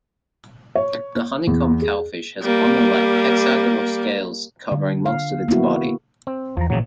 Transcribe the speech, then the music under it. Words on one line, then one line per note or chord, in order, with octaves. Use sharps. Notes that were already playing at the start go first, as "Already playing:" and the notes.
The honeycomb cowfish has armor-like, hexagonal scales covering most of its body.
C#5
E2
G#4
G3 A#3
D3
F5
A#3 B3 E4 F#4
C4
E2 F3 A#5
A1 A#2 C#3 F#3